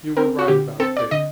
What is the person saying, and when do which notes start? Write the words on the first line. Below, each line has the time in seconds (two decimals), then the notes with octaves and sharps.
You were right about Fate.
0.17 C4 A#4
0.39 F#4
0.48 D3 G4
0.80 C4 A4
0.97 D5
1.11 D3 D#5